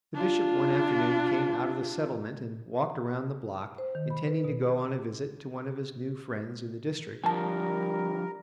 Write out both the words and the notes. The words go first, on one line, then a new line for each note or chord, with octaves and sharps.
The Bishop one afternoon came out of the Settlement and walked around the block, intending to go on a visit to one of his new friends in the district.
D4 F4
C5
D#3
B5
B4
B2
D3 F3 G3 A#4 G#5 A5